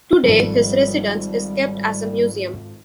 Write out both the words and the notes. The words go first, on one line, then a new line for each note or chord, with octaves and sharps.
Today, his residence is kept as a museum.
G#1 F3 G3 A4